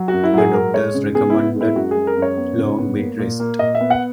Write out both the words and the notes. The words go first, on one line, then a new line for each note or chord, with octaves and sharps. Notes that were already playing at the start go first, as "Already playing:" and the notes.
The doctors recommended long bed rest.
Already playing: F#3
F#2 F#4
E4
F#3 G#4
G#3 A#4
G#3 C#5
C#3
B3 G#4
E4
B3
G#3 E4
F#2 F#4
G#4
G#3
A#4
F#2
C#5
B3
C#3
B3
A#3
A#2
A#3
A#2 D#5
E5
B3
F#5